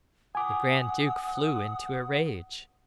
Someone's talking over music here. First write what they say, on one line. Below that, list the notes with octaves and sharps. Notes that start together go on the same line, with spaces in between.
The grand duke flew into a rage.
F#5 G#5 D6 D#6